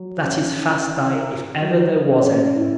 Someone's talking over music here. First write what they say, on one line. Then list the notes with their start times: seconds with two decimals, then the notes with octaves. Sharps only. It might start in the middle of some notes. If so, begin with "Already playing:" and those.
That is fast dye if ever there was any.
Already playing: F#3
0.19 C#4
0.66 E4
1.13 A#4
1.61 F#3
2.09 C#4
2.55 E4